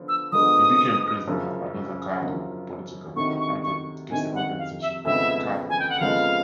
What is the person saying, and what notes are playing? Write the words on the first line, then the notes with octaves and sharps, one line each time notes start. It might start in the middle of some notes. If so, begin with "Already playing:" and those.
He became president of another Catholic political advocacy organization, Your Catholic Voice.
Already playing: D3 F3 B3
E6
D3 F3 G#3 B3 D#6
F#2 C#3 F3
F#2 C#3 F3
D2 C3 D#3 C#6
C#6
C#6
D2 C3 D#3 G#5
F#5
F5
E5
F2 C#3 F3 G#3 B3 E5
G#5
G5
F#5
F2 C#3 F3 G#3 B3 F5